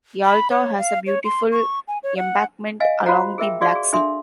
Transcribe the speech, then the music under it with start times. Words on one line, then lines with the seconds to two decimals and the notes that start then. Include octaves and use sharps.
Yalta has a beautiful embankment along the Black Sea.
0.24 B5
0.50 C#5
0.78 F5
1.07 C#5
1.25 C6
1.52 C#6
1.88 G#5
2.03 C#5
2.17 F#5
2.80 D#5 F5 G#5
3.06 F4 F#4 C5 F5 F#5 A#5
3.38 G#4 A#4 E5 G5
3.61 F#4 G#4 D5 F5 C#6
3.75 G#4
3.93 D4 G#4 A4 E5 C6